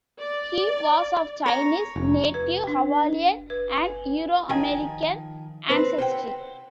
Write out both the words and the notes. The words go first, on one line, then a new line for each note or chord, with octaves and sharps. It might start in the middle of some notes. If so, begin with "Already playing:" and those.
He was of Chinese, Native Hawaiian, and Euro-American ancestry.
D5
C#5 A#5
F1
B4
D4
B4
G#5
D#3 F3 G5 G#5
C4 B4 C5
C5 F#5 G5